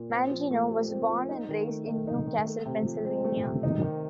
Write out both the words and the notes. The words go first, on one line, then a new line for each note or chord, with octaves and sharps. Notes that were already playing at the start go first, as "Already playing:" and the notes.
Mangino was born and raised in New Castle, Pennsylvania.
Already playing: A#2
C4
F3
A3
G4
C4
F3
D#4
D#3
A3
D#3
D#4
D#3
A3
C3
F3
C4
A3
C3
D#4
D#3